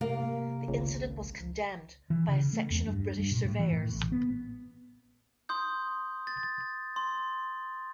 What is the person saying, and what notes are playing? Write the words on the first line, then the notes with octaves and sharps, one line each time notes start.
The incident was condemned by a section of British surveyors.
C3 A#3
G#1 C#2
E3
C#3
A3
E2
G2
G2
A#2
A2
E3
A2
A1
B3
C6 D#6 G6
A6
C6